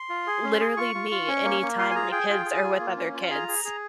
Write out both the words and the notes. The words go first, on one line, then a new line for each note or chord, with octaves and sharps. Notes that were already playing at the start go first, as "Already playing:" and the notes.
Literally me, anytime my kids are with other kids.
Already playing: C6
F4
G#4
C#4
G#4
F4 C#6
F4
F4
C#4
A#3
A#3
F4 C6
G#5
G#4 A#5
G#4 G5
F4 G5
G#4
G#5
F4
A#3
C#4
F4
G#4 A#5
G#4
G#4